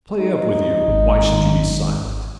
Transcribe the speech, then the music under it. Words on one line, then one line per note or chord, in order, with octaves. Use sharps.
'Play up with you, why should you be silent?
D#4
G#1